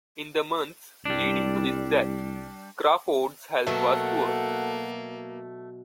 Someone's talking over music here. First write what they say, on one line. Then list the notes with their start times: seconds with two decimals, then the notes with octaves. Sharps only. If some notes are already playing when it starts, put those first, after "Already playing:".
In the months leading to his death, Crawford's health was poor.
1.05 C2 G3 D4
3.67 B2 F#3 A3 A#3 A4 F#5